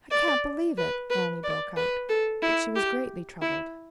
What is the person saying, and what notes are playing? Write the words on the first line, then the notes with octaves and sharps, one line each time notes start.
"I can't believe it," Annie broke out, but she was greatly troubled.
D5
B4
B4
D5
B4
A4
E4
G4
E4